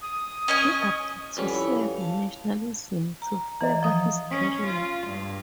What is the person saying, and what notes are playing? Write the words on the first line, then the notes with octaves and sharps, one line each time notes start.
He appealed to Serb nationalism to further his career.
D#6
C#4 D#5 G#5
F2 G3 C#4 B4 F#5 B5
E4 C#5 B5
F5
F5 A5
A#5
E3 D#5 A#5
F3 D#6
C#4
F4
G2